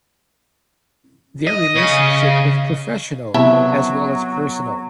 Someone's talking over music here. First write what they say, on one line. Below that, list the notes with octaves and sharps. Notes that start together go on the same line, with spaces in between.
Their relationship was professional as well as personal.
D#5
C#3
C3 F#3 B3 E4 E5 A5